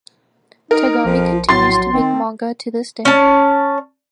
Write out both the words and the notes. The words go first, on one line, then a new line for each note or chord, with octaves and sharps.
Tagami continues to make manga to this day.
D#4 A#4
A#1 F2 F3
A2 F#3 C6 A6 C7
D#3 C4
C#4 A5